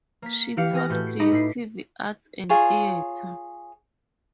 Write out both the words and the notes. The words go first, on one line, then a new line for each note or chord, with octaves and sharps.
She taught Creative Arts and Theatre.
A#3 B6
E3 E4 G4 F5 C#7
E3 G#4 F6 A#6
A2 A3 F#4 B4 G6
D#4 D#5 B5 D6
A2 E4 B6 C7
F4 G#4 C#5